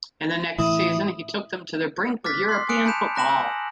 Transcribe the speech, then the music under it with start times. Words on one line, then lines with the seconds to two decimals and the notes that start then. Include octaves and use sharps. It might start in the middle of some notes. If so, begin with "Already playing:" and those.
In the next season he took them to the brink of European Football.
0.58 A2 E3 E4 D#6
2.24 D6 F6 F#6 A6 B6
2.49 C6 D#6 F#6 C7
2.69 G#5 D#6 F6 F#6 C#7 D7
2.85 A5 B5 G6 E7 F7
3.15 A#5 F#6 A#6 E7 F#7
3.28 G#5 E6